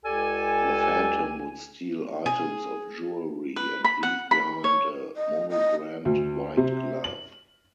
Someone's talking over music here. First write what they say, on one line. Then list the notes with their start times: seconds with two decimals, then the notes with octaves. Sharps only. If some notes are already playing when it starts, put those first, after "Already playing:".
The Phantom would steal items of jewelery and leave behind a monogrammed white glove.
0.05 C#2 G4 A4 D5 G#5
2.26 G#4
3.56 B4
3.84 B5
4.03 F#5
4.31 B5
4.64 C#5
5.17 D#5
5.50 D#5
6.05 D2
6.57 C3
7.04 F#7